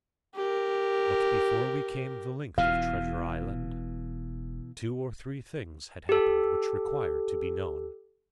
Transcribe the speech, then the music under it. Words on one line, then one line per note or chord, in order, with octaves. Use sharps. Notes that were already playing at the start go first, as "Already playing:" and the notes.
But before we came the length of Treasure Island, two or three things had happened which require to be known.
G4 A#4
E1 B2 E3 F5
G4 A4